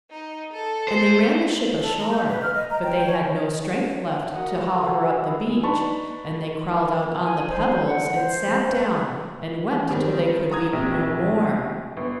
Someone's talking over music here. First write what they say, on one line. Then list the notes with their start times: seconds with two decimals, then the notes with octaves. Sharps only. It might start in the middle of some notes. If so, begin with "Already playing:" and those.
And they ran the ship ashore; but they had no strength left to haul her up the beach; and they crawled out on the pebbles, and sat down, and wept till they could weep no more.
0.11 D#4
0.53 A4
0.88 C5
1.80 A4
1.98 A#5
2.12 G6
2.27 B4
2.41 F6
2.53 D#5
2.70 A#5
2.83 G5
3.04 C#5
4.35 F#4 A#4 D#5 F#5
4.72 A4
5.23 E4 G#4
5.63 D4 D#4 B4 A5 B5 C#6
7.23 G#5
7.49 C5
7.86 F#5
8.14 C5
8.70 B4
9.91 D#3 G3 C4
10.51 A#5 D#6 G#6
10.73 A#1 C3
11.97 G1